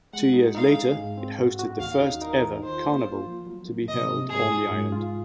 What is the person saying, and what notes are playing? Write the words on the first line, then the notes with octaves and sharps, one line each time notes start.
Two years later, it hosted the first-ever carnival to be held on the island.
G#3 F#5
D#4
D#4 F5
G#4
G#2
C4
F#4
F#4
D#2 F5
D#4
D#4 A#4
D#3
F4 C5
A#3
F4
F3
F#3
A#3
C3 D#5
C3
G#2 G#4
F4
G#2
F4